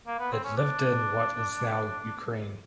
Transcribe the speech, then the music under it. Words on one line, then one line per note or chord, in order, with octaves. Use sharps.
It lived in what is now Ukraine.
A#3
B3
C4
C#4
D4